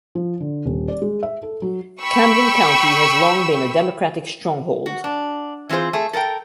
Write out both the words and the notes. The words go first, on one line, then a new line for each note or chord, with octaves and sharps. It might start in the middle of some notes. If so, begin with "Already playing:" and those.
Camden County has long been a Democratic stronghold.
F3
D3
D#1
D5
G#3
E5
A4
F#3
G5 B5 C#6 E6
F#4
D4
E3 C4 F4 G#4 C5
A3 G#4
A4 A#4 E5 G5